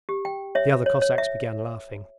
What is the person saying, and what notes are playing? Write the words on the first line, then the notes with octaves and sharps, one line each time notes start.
The other Cossacks began laughing.
G4
G5
C#5 E5
C#5
C#5
E5